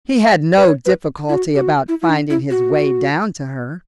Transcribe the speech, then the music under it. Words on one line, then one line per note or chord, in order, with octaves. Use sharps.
He had no difficulty about finding his way down to her.
E5
B4
C#5
B4
E4
F#4
G4
F#4
E4
E4
D4
E4
F#4